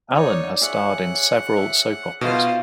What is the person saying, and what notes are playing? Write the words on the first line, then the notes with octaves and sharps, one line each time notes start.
Allan has starred in several soap operas.
D#4 C#5 D5
G#4 C#5 E5 F#5
E5
B2 D#4 F4 C5 E5 F5